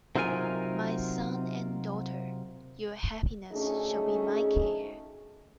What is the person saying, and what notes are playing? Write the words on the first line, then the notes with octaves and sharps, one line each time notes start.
My son and daughter, your happiness shall be my care.
C3 F#3 D#4 F4 A#4 G#5
D2 A3 C#4 D#4 G#4